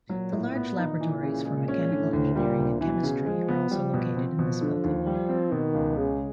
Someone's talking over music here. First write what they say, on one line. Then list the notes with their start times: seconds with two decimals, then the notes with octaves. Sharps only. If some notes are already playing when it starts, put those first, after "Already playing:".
The large laboratories for Mechanical Engineering and Chemistry are also located in this building.
0.09 A#2 F#3
0.32 A2
0.55 B3
0.78 D#4
1.00 E3
1.23 C#3
1.45 G#3
1.68 C#4
1.91 A2 D3
2.13 D2
2.35 A#2 G3
2.58 D2
2.81 B2 E3
3.03 C#3
3.26 F3 G#3
3.48 B3
3.71 F3 G3
3.94 B2
4.16 C4
4.39 B2
4.61 D3
4.84 D#2
5.06 G3
5.29 C4
5.52 B2 D#3
5.74 C#2
5.97 C#3 G#3